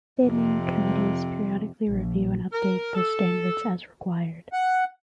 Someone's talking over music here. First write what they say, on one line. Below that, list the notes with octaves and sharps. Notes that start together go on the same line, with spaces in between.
Standing committees periodically review and update the standards as required.
F2 C3
A#1
A#4
A4
F#5